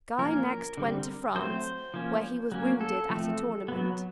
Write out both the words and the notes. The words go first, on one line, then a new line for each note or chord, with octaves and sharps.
Guy next went to France, where he was wounded at a tournament.
F3 A#3 C#4 A#4
D3 G3 C4
F#3 A3 C4 C5
F3 A#3 C#4
F#3 A#3 C#4
A4
F3 A3 C4
F#3 B3